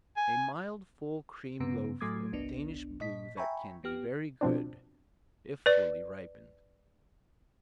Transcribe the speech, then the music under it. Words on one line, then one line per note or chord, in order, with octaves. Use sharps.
A mild, full cream loaf of Danish blue that can be very good if fully ripened.
G#5
G2 C#3 B3
A2 F#3 A3 D6 D#6 G#6
G1 C2 B3 D4
A#2 D#5 B6
E5 G5 G#5 A#5 B5 C#6
B3 G4 F6
B2 F3 C4 D4
B4 D5